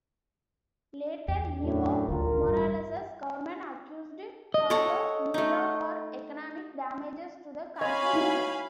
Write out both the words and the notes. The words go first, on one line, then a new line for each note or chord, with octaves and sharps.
Later, Evo Morales's government accused Carlos Mesa for economic damages to the country interests.
E2
F#2 A2 D4
D#1 A1 D2 D3 F4 A#4
G2
D#5
A4 C#5 F#5
A3 D#4
C#5 D#5 F5 G#5 B5
D#4 E4 F#4